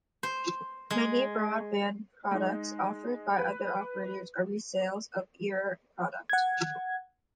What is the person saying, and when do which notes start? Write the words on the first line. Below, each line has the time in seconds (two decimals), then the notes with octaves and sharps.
Many broadband products offered by other operators are resales of the Eir product.
0.23 C5
0.91 G#3
2.31 G#3 D#4
3.38 B4
6.30 F#5 G#6